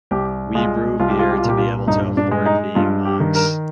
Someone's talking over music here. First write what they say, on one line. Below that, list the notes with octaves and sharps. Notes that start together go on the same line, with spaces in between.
We brew beer to be able to afford being monks.
C2 G4
G#3 F4
C2 F4
G4
F4
G4
F4
A#2 G4
F4
G2 D#4
D4
G#3
D#4
G2 F4
G4
D#3
A#4